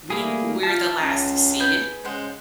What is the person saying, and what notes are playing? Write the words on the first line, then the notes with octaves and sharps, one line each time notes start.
we we're the last to see it?
G3 A3 A#3 E4 G#4
F4 A5 F6
C#2 C#4
G#4 B4 G6
C#3 G#3 C5 F#5